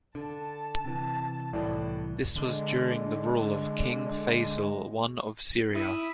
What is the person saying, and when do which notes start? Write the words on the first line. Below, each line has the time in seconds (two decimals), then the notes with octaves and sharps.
This was during the rule of King Feisal I of Syria.
0.15 D3 A5
0.85 C3 E3
1.53 C2 A2 E3 D5
2.36 D3 G#3
5.75 E4 E5 B5 D#6